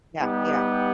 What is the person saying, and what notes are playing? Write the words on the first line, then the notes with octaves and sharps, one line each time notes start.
Yeah, yeah.
G3 B3 D#4 G4